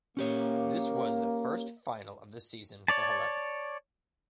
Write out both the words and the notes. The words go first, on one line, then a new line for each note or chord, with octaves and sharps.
This was the first final of the season for Halep.
A#3 C#4 G4 C#5
C#5 D5 A5